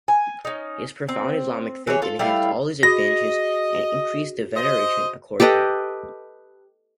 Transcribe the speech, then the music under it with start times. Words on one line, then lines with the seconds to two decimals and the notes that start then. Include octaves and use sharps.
His profound Islamic faith enhanced all these advantages and increased the veneration accorded him.
0.08 G#5
0.45 C#4 D#4
1.09 C4
1.87 E3 G#4 C#5
2.02 F4 A4
2.19 G3 A3 E4 F5
2.83 F#4 G#4 D#5 A#6
4.56 C5 D#5
5.40 G4 A4 B4 D#5